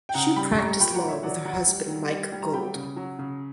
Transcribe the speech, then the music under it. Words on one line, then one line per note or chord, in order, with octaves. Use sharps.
She practiced law with her husband Mike Gold.
G5
C#3 F#5 A#5
G3 G5 B5
G3 A#5 C#6
A#2 G5 B5
F#5 A#5
A#2
C#5 E5
F#3 D5 F#5
F#3 F#5 A#5
G3
G3
G3
G3
A#5
F#3 G5 B5
C#3
F#3
C#3